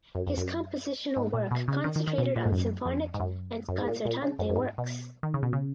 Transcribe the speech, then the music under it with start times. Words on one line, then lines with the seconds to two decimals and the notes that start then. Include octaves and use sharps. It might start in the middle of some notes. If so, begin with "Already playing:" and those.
His compositional work concentrated on symphonic and concertante works.
0.15 F#2
0.27 F2
0.37 F#2
1.16 G#2
1.34 A#2
1.51 B2
1.68 C#3
1.84 D#3
1.96 D#3
2.07 D#3
2.18 B2
2.36 A#2
2.46 G#2
2.52 F#2
2.86 F2
3.14 G#2
3.20 F#2
3.69 F#2
3.78 G#2
3.88 A#2
4.05 A#2
4.22 C#3
4.39 F#2
4.50 F#2
4.56 G#2
4.78 B2
5.23 D#3
5.34 C#3
5.43 B2
5.53 C#3